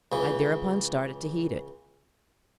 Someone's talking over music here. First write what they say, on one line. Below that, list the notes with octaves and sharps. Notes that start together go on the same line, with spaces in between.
I thereupon started to heat it.
C#2 E3